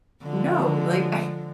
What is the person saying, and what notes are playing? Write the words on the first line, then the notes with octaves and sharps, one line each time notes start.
"No, like, I
D3 F3 G#3